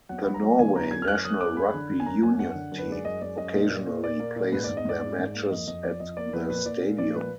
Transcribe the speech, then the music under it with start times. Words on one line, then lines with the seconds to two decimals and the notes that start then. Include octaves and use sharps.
The Norway national rugby union team occasionally plays their matches at the stadium.
0.09 F#3 F#5
0.22 F#3 B5
0.34 A#5
0.43 F#3
0.59 D3 G#5
0.75 F#2 A#5
0.91 F#2 G#6
1.02 F6
1.08 F#2 F#6
1.25 F#2 D#6
1.41 F#2 D6
1.57 G#3 B5
1.74 D3
1.90 D3
2.00 G#5
2.06 F#2 A#5
2.23 F#2 G#5
2.34 G#5
2.39 F#2 F#5
2.55 D3
2.72 F#2
2.78 B4
2.88 G#3 D5
3.05 F#2 D#5
3.22 G#3 D5
3.37 F#2 D#5
3.54 A#2
3.70 A#2
3.87 A#2
4.03 A#2 D5
4.20 A#3
4.36 A#2
4.52 G#2 B4
4.64 D5
4.69 G#2
4.77 D#5
4.85 G#2 D5
5.01 G#2
5.19 G#2
5.35 A#3
5.51 F2 D#5
5.67 F2 D#5
5.83 F3 D5
6.00 F2 D#5
6.17 A#3 D5
6.33 F2 B4
6.49 A#2 B4
6.66 A#2 D5
6.82 A#2
6.98 F3 D5
7.15 A#2 B4